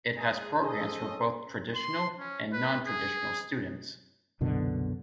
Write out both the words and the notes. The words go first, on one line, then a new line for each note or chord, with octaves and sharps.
It has programs for both traditional and non-traditional students.
G#3 G#4
C#4 G#4 A4 C5 D#5
C#4
C6
C#4
B4
G#4
C2 F#2 B2 D3